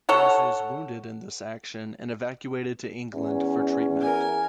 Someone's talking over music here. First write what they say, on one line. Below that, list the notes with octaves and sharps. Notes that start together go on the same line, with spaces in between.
James was wounded in this action and evacuated to England for treatment.
A4 C#5 F#5
E2 C#4
A#4 G#5